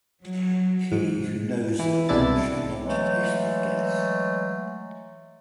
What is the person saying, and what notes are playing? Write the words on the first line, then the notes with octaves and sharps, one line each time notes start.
He who knows them shall not taste of death.
F#3
G#2
E3
C2 B2 G#3 D4 E4 A6
E3 F#3 G#3 A3